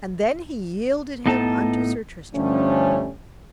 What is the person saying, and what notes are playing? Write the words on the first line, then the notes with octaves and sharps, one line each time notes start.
And then he yielded him unto Sir Tristram.
A2 B3 D#4 A4 A5
G2 D3 F3 G3 A3 C#4